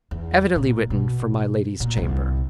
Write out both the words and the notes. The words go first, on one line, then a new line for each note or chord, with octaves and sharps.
Evidently written for my lady's chamber.
E2
A#2
B2
A#2
C2